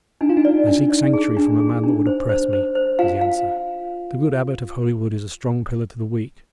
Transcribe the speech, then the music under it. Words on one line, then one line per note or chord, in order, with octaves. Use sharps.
"I seek sanctuary from a man that would oppress me," was the answer. "The good Abbot of Holywood is a strong pillar to the weak."
D4 D#4
F4
D#4
D5
D4
D5
G#4
D4
G#4
D4
C5
C5
C5
C5
F4 F5
F5